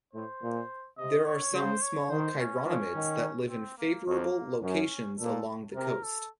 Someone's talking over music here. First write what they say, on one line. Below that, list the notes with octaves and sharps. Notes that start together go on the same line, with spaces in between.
There are some small chironomids that live in favorable locations along the coast.
A2 C5
A#2
C3 D#5
C#5
C#3 C5
C#5
D#3 C5
C#4
F3 C#4
D#3
C4
A#3
F2 A#3
F#2 C#4
A#2 A4
C3 A#4
A4